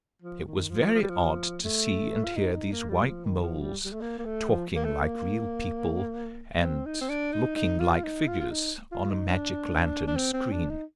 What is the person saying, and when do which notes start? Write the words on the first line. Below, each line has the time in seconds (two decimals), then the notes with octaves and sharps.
It was very odd to see and hear these white moles talking like real people and looking like figures on a magic-lantern screen.
0.22 F3
0.46 D#3
0.69 F3
0.94 F3
1.02 G3
1.09 F3
1.64 A3
2.24 F4
2.36 D#4
2.54 D#4
2.72 A#3
2.89 G3
3.06 F3
3.24 D#3
3.42 F3
3.60 G3
3.84 G3
3.92 A3
4.01 A#3
4.18 A#3
4.25 A3
4.49 F3
4.75 A#3
4.84 A3
5.02 A#3
6.62 C4
6.86 D#4
7.01 C4
7.09 D4
7.32 D#4
7.55 D#4
7.79 F4
8.03 D#4
8.28 F4
8.40 F4
8.51 D#4
8.92 F4
9.10 D#4
9.28 D4
10.07 D4
10.16 C4
10.33 C4
10.52 D4
10.69 D#4